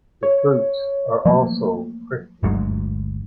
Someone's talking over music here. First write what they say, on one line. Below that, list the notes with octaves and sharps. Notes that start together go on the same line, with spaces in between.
The fruits are also prickly.
C#5
F3 F#3 A3 A#3
G1 D2 F#3 G#3